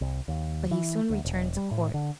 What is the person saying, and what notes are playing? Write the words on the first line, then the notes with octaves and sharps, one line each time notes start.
But he soon returned to court.
C2
D#2
E3
D2
E1
G3
A2
D3